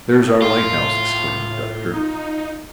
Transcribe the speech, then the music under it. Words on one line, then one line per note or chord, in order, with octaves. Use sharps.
"There's our lighthouse!" exclaimed the Doctor.
A2
F4
D#4